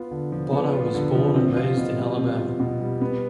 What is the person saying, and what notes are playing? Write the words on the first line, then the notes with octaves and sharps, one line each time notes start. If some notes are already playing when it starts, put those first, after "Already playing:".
Bonner was born and raised in Alabama.
Already playing: B3 F4
D3
F3
B3
F4
D3
F3
C4
F4
B2
G3
C4
F4
B2
G3
B3